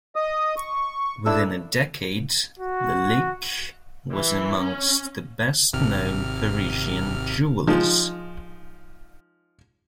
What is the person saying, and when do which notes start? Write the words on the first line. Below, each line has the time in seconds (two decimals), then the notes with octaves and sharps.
Within a decade, Lalique was amongst the best-known Parisian jewellers.
0.16 D#5 D#6
0.57 C#6
1.26 D4 E4 A4 E6
2.59 F#4
4.11 E3
4.60 C#4
5.73 G#1 C3 F6
7.67 F3 G#3 D#4